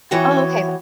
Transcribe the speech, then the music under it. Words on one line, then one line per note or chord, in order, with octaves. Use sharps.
Oh, okay, tha
E3 B3 F#4 C#5 E5 G5